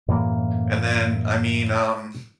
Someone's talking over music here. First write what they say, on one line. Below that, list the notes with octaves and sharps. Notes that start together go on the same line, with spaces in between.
And then I mean, um.
F#2 A2 E3 A#3